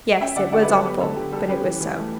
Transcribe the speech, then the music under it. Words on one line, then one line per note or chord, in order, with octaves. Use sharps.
Yes, it was awful, but it was so.
C#4 E5 G5
D3 D5 F#5
D3 D5 F#5
B4 D5
F#3
A4 C#5
B3 G4 B4
D3 A4
D3 G4
G3 A4
C#4 G4 B4
E3
E3
A3